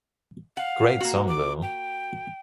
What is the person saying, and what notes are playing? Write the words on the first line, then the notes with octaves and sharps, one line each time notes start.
Great song, though.
F5 F#5
A#3 F#4
D6
G5